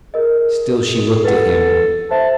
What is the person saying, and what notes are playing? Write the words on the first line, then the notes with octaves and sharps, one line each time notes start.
Still she looked at him.
G#4 A#4 D#5
A4 B4 F#5
C5 E5 A5